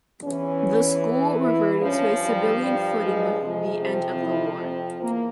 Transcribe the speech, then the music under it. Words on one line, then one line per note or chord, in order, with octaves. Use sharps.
The school reverted to a civilian footing with the end of the war.
E2 E3 C#4
E4
G2 F3 C#4
G3
G3
G#3
F2 C3 F3 G#3
C4
E4
C4
E2 A#3